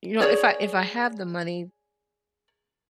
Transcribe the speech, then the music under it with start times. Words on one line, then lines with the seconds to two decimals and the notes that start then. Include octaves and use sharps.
you know, if I if I have the money,
0.21 G#4 C#5 D5